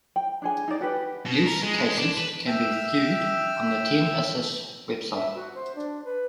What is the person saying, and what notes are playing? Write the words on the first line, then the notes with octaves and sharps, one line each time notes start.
Use cases can be viewed on the TenAsys website.
G5
D4 G#4 G#5
D#4 D5
F#4 G4 B4
B2
A#4
G#3
G#3
D4
B4
E5 G5 E6 F6
E5
F#4
C5
D4
B4